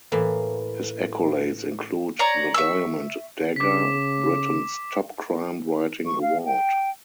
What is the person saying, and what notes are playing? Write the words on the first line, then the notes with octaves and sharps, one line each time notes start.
His accolades include the Diamond Dagger, Britain's top crime-writing award.
A2 E3 A#3
C#5 D5 A#5
E5 C#6 E6
C#3 D6 B6
C#6
F5
G5